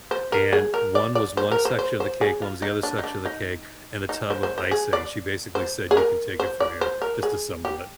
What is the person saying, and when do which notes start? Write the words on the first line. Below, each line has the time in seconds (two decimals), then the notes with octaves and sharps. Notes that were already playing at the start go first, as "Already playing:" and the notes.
and one was one section of the cake, one was the other section of the cake, and a tub of icing, she basically said, "You can take it from here, just assemble it".
0.11 C5
0.32 A#4
0.53 G#4
0.74 A#4
0.95 D5
1.15 D5
1.37 C5
1.51 A#4
1.65 C5
1.79 C5
2.00 C5
2.21 G#4
2.42 F4
2.62 D#4
2.83 D4
2.99 D#4
3.04 D4
3.25 D#4
4.09 D#4
4.30 C5
4.43 C5
4.58 C5
4.71 G#4
4.93 D5
5.55 C5
5.91 G#4
5.97 A#4
6.40 C5
6.60 D5
6.81 C5
7.02 A#4
7.23 G#4
7.65 G4